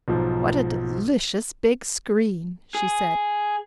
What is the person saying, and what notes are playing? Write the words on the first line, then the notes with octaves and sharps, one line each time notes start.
"What a delicious big screen," she said.
B1 G#2 F3
G#4